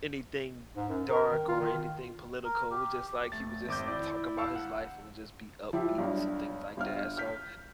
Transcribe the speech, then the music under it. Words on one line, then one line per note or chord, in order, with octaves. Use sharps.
anything dark or anything political, it was just, like, he would just talk about his life and just be upbeats and things like that so
G#2
F#2
A#4
D#3
F4
D#3
A#4
G4
F1 A3 A6
G#1 D6 G6
E4 D5
E2 F5 A5 E6
G1 F#5
F3 E4 G4
B1 G2
G1 F5 F6
F6 G6 B6